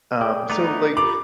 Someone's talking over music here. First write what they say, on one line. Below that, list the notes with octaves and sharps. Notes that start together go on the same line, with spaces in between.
um, so, like,
G#4 D5 G5
A3 B3 D#4 D5 A#5
F4 G4 A#5 B5 D6